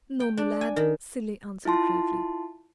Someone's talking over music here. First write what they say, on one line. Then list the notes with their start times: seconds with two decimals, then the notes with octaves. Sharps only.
"No, me lad," Cilley answered gravely.
0.20 G5
0.37 D4
0.61 G#5
0.76 D#3
1.65 E4 F4 A5 C6